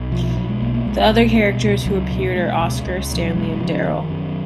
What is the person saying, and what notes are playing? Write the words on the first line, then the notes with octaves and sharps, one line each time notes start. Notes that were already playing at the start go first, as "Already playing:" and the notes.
The other characters who appeared are Oscar, Stanley and Darryl.
Already playing: B1
B2 F3
B2 F#3
G#3
B1 A#3
A#3
B1 G#3
B2
B2
C#2
C#2 F#3
B2
B2 G#3
C#2
C#2
B2 F3
F#3
F#1 G#3
C#3 F3
F#1 D#3
F#2